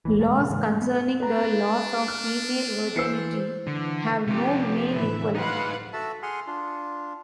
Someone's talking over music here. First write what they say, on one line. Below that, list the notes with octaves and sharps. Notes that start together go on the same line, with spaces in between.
Laws concerning the loss of female virginity have no male equivalent.
D#1 A1 E3
D1 E2 A#2 G#3
A#2 C#3 A3
G#2 C#3 E3 G#3
A3
B3
D4 B4 A#5
F6
E3 C5 E6 C7 C#7
D3 E3
C3 F3 G4 B4 A5 C#6
A2 D3 E3 E4 B4 E5
D#4 B4 C5 F5 F#5
F#4 A4 E5 A5
G#4 F#5 G#5 C6 F6
D4 F4